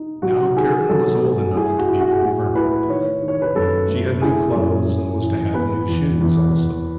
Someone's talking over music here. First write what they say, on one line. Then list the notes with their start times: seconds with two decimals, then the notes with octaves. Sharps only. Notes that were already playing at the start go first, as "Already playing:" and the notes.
Now Karen was old enough to be confirmed; she had new clothes and was to have new shoes also.
Already playing: D#4
0.22 F#3 F#4
0.56 D#3 G#4
0.89 F#3 A4
1.22 A3
1.55 E4 G#4
1.78 F#4
1.89 E4
2.00 F#4
2.12 G#4
2.23 A2 F#4
2.55 E4 B4
2.89 D#3 C#5
3.22 D#3
3.28 C#5
3.42 B4
3.55 F#2 A4
3.88 A3
4.22 E4 G#4
4.56 F#2
4.88 F#2
5.22 E3
5.54 B3 B4
5.89 E2
6.21 E2
6.55 E2